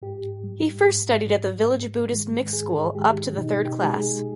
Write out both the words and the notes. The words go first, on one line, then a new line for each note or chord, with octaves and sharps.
He first studied at the village Buddhist mixed school up to the third class.
G#2 G4
G3
G#2
G3
G#2
D#3 G#3
G#2 G#4
D#3 G#3 G4
B2 D#4
G4
G#3
G#4